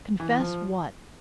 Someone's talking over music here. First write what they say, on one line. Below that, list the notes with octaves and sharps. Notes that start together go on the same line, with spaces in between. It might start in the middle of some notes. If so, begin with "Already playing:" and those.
"Confess what?"
E3
E3
F3